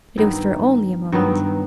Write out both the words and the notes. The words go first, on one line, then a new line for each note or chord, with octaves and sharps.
But it was for only a moment.
G2 D#3 F#3 B3
G2 D#3 F#3 B3